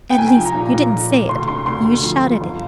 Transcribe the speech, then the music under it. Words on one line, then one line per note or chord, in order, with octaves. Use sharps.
"At least--you didn't say it--you shouted it!"
G5
C2 G#5
F3
A#5
A#2
A#2
F3
C2
D2 C6
D3 C6
D2 C6
D2
F3
F3
G1